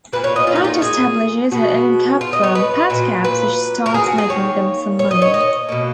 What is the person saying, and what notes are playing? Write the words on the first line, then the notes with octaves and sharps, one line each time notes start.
Pat establishes her own cab firm, "PatCabs", which starts making them some money.
A#2 F#3 A#3 B4
C#5
D#5
F4
D#4
F4
F#4
G#4
B2 G#3 B3 F#4
F4
D#5
C#5
B4
A#2 F#3 A#3
B4
A#4
G#4
F#4
G#4
D#3 A#3 C#5
C#5
D#5
C#5
D#5
B2 A#3